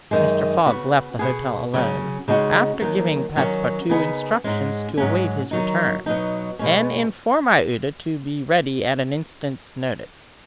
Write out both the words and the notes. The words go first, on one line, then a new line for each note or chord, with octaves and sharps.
Mr. Fogg left the hotel alone, after giving Passepartout instructions to await his return, and inform Aouda to be ready at an instant's notice.
F#2 D#3 G#3
C#3 B3 F#4
B2 B3 G#4
C#3 F#3 C#4
C#3 G#3 D#4 F#4
D#2 D#3 F#3
D#3 F#3 C#4 F#4
C#3 B3 D#4 G#4
G#2 G#3 C#4
G#2 F#3 C#4
D#3 F#3 D#4
B2 F#3 D#4
B2 G#3 C#4